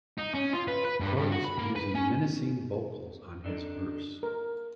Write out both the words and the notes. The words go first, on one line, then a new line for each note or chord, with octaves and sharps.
Corpse uses menacing vocals on his verse.
D#4
C#4
F4
B4
B4
G2
G2
F#4
B5
A#3
B4
C#4
D3 D4 D#4
A#4